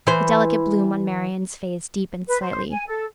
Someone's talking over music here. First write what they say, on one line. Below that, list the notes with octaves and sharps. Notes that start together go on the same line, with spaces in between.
The delicate bloom on Marian's face deepened slightly.
E3 C5
B4
C5
G#5
A4